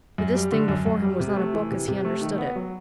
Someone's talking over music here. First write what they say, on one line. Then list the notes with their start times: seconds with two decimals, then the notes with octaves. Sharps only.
But this thing before him was not a book as he understood it.
0.18 F#2
0.35 G3
0.52 D3
0.68 F#2
0.86 F#2
1.02 G3
1.20 C3
1.36 A3
1.54 E3
1.71 C3
1.88 C3
2.05 A3
2.21 D#3
2.38 B3
2.56 F#3